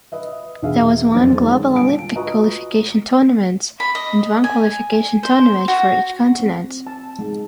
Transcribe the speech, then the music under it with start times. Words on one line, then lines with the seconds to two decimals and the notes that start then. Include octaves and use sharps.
There was one global Olympic Qualification Tournament and one qualification tournament for each continent.
0.12 B4 D#5 E5
0.62 E2 B2 B3 G#4 E5 F5
1.14 F#1 F2 A#3 C5 A6
1.33 D3 D#3 G#3 C#4
1.73 A#2 G3 F5 G#5 A5 D7
2.16 F4 F#4 B4 D#5 A#5
3.80 B5
3.95 D#5
4.44 G#5
5.23 C5
5.68 F#4
6.40 C4
6.87 A5
7.19 G#3